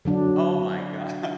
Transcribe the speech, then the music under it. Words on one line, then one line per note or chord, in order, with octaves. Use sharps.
Oh my god.
D3 F#3 D4